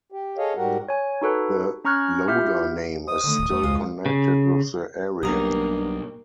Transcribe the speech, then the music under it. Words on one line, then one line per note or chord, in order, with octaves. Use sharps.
The Loder name is still connected with the area.
G4
G#4 A4 C#5 D#5 F5
G#2 G3 F#4 G4 A#4 F#5
C#5 G#5
D#4 F#4 A4 B4
C#4 A#5 C#6 F6 F#6 G#6
E4 F4 G4 E5 F6 G6
C5 D#5 D#6
D3 D#3 A3
D1
E2 A3 C5
C#2 G#3 F4 F5
C#3
B1 G2 A#3 G4 A#5 D#6